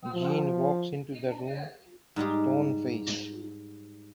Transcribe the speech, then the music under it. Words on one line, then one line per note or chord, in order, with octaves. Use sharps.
Jean walks into the room, stone-faced.
F3
G#2 G3 G#3 G4